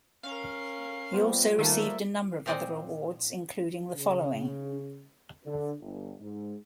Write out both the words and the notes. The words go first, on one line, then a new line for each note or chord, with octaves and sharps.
He also received a number of other awards, including the following.
C#4 A#4 F5
G3 B3 F4 C5
D#3 A3 A#3
A#2 F3 C4 D5 D#5 F#5
C#3
D3
G1
G#2